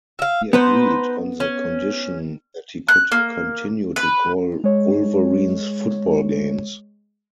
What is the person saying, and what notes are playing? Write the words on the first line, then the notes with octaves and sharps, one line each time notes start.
He agreed on the condition that he could continue to call Wolverines football games.
E5 F5
B3 D#4 B4 C5
C#4
F#6
A#3
B4
G#3 C#5